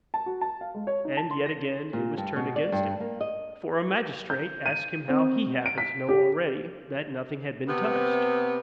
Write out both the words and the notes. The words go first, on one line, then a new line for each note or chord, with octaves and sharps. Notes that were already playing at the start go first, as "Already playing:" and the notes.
And yet again it was turned against him; for a magistrate asked him how HE happened to know already that nothing had been touched.
A5
F#4
A5
F5
G#3
C#5
D#4
A5
C6
A#6
A#2
G2
B2
D5
G2
A#3
D#5
G6
D#7
C4
D7
B6
G4
C3 B3